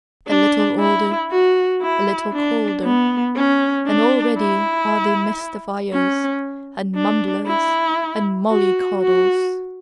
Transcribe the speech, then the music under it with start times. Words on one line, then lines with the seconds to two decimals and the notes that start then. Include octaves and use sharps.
A little older, a little colder: and already are they mystifiers, and mumblers and mollycoddles.
0.28 D4
0.79 E4
1.31 F#4
1.82 E4
2.33 D4
2.85 B3
3.36 C#4
3.87 D4
4.39 E4
5.93 C#4
6.96 D4
7.47 E4
8.50 F#4
9.01 F#4